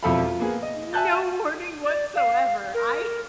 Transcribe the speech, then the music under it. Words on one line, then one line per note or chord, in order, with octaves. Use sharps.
No warning whatsoever. I
E1 F2 E4 A4 F5 B5
F4
A#3 B3 G#4
D#5
E5 G#5 A5 F#6 G6 A6
D5
F5
A#4